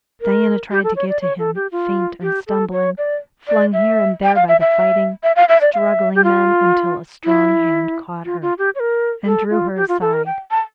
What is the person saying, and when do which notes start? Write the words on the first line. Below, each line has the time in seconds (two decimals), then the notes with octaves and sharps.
Diana tried to get to him, faint and stumbling, flung here and there by the fighting, struggling men, until a strong hand caught her and drew her aside.
0.21 A#4
0.71 G4
0.84 A4
0.96 C#5
1.09 D5
1.22 C#5
1.39 A4
1.55 G4
1.72 F4
2.22 G4
2.47 A4
2.72 C#5
2.98 D5
3.48 D5
3.73 E5
4.23 G5
4.36 F5
4.48 E5
4.61 E5
5.23 E5
5.36 F5
5.49 E5
5.61 D5
5.74 F5
5.78 E5
6.15 G4
6.24 F4
7.24 E4
8.25 F4
8.42 F4
8.58 G4
8.75 C#5
8.80 A#4
9.26 A4
9.50 F4
9.76 G4
9.88 F4
10.01 A4
10.13 A#4
10.26 G5
10.51 A5